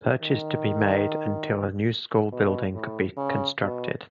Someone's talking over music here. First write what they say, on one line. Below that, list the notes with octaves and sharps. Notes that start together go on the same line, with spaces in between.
Purchase to be made, until a new school building could be constructed.
D#3
B2
A2
C#3
B2